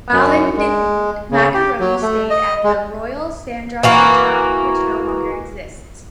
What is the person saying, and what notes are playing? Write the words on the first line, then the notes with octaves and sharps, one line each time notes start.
While in Niton, Marconi stayed at the Royal Sandrock Hotel, which no longer exists.
F#2
G#3
C#3
G4
F#3
A3
D#5
G#3
E3 A#3 F#4